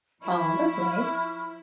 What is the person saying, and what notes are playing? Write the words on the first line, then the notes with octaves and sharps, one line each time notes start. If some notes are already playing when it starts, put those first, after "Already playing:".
Oh, that's nice.
F3 E4 B5 C#6 F6